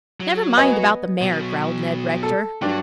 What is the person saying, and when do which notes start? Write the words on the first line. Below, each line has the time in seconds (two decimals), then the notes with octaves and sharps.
"Never mind about the mare," growled Ned Rector.
0.20 F#3
0.57 B3 D#5 G#5
1.21 B2 F#3
2.23 A4
2.62 G2 F#3 D4